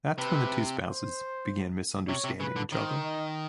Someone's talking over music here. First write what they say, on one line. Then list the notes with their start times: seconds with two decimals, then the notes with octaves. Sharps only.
That’s when the two spouses began misunderstanding each other.
0.18 C3 B4
0.82 C5
2.08 C3 C#5
2.24 C3
2.40 C#3 B4
2.56 D3
2.72 D#3 C5
3.04 D#5